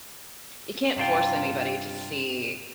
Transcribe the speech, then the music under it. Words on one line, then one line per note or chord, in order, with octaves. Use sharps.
you can't force anybody to see
G2 C3 F4 G5